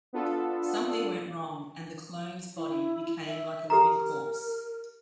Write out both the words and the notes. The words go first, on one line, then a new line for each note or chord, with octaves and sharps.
Something went wrong and the clone's body became like a living corpse.
B3 D4 F4 A4
E4
E5
G4 A4 A#4 A#5